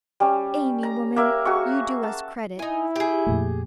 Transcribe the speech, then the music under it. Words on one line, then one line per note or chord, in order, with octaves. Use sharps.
'Amy, woman, you do us credit!
G3 C#4
A#5
A#3 A#4 E5
F#4 G#4 C#6
A5
D#4 E4 G#5
G4 G#4
F2 A#2 A3